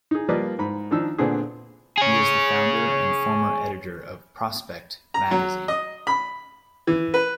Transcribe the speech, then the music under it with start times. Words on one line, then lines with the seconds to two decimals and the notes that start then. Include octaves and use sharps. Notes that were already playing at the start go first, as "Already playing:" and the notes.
He is the founder and former editor of "Prospect" magazine.
0.11 D#4 G#4
0.29 F3 G3 A#3 B4 D5 D#5
0.59 G#2 B5
0.91 D#3 F3 D4 D#4 E6
1.18 A#2 D3 B3 C4 D4 G#4
1.98 G#4 C#5
5.14 A#5
5.31 F#3
5.68 D#5
6.07 B5
6.87 E3
7.14 B4